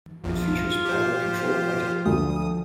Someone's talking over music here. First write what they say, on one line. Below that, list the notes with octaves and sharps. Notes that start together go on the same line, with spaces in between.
It features pilot-controlled lighting.
A#1 E2 F3 F4
G4 C5
D2 D#6